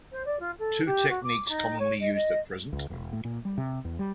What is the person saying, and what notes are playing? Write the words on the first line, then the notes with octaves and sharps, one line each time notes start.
Two techniques commonly used at present.
C5
D5
F4
A4
G4
F#4
D6
D#4
C#5
D#5
D#5
C#2
E1
A2
A#2
G3
C3
E2
G3